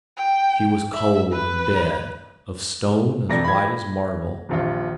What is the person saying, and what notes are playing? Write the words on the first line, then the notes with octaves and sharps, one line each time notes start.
She was cold and dead--of stone as white as marble.
G5
E5
B4
E1 F2 A4 D5 A#6
B5 G#6
D#1 A#1 F4